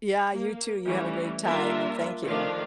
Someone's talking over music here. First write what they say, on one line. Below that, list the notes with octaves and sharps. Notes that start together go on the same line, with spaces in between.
Yeah, you too, you have a great time, and thank you.
A#3
E3 G3 A3 C#4
G3 A#3 D4 F4 A#4 E5
D#3 F3 A3 D4 F5